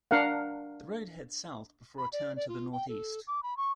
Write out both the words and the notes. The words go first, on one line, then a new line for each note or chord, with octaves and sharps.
The road heads south before a turn to the northeast.
D4 A#4 F5 F#5
B5
D5
D5
F4
G5
A4
D6
B5
C#6